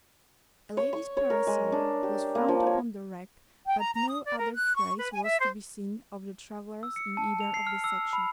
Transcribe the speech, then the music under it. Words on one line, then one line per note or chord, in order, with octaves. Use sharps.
A lady's parasol was found upon the rack, but no other trace was to be seen of the travellers in either of the sections.
C#5
C#6
C#5
A#4
G#3
D4
G4
A#3
F3
C#5
G5
A#5
A#5
D#6
D5
A#4
F#6
C#6
B4
G#5
E5
C5
E6
C#7
A5
F7
C7
F6
E6
B5